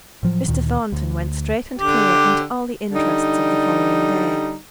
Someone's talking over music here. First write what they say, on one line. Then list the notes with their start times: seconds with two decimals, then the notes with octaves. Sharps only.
Mr. Thornton went straight and clear into all the interests of the following day.
0.23 A2 F3 F#3
0.48 D2 A#2 D#3
0.92 D2
1.78 D3 G4
2.92 D3 G3 D#4